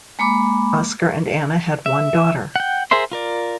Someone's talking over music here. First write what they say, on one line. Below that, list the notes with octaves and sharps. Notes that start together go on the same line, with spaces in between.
Oscar and Anna had one daughter.
G#3 A#3 B5 D6
E5
F#5 G5
G#4 A#4 C5 E5 C6
F4 A#4 D5